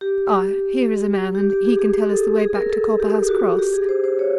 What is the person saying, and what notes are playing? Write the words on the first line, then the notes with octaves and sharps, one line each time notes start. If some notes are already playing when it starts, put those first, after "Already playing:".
Ah;--here is a man, and he can tell us the way back to Copperhouse Cross.
G4
G4
G4
G#4
G#4
A4
G#4
A#4
A4
G#4
G4
F#4
G4
G#4
C5
C5
C#5